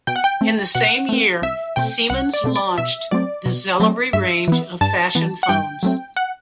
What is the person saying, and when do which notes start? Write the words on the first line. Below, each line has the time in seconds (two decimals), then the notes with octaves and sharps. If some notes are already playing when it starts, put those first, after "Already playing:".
In the same year Siemens launched the Xelibri range of fashion phones.
0.07 B2 G5
0.16 F#5
0.24 G5
0.41 A3 C4
0.75 B2 F#5
1.09 A3 C4
1.42 C2 E5
1.76 B2 A3 C4 G5
2.10 C2 F#5
2.34 D5
2.44 B2 A3 C4
2.56 D5
2.78 B2 E5
3.11 F#3 A3 C4 D5
3.46 B2
3.80 F#3 A3 C4
4.13 G2 E5
4.48 E3 B3
4.81 G2 A5
5.15 E3 B3
5.43 F#5
5.49 G2 G5
5.83 F#3 A3 C4
6.17 F#5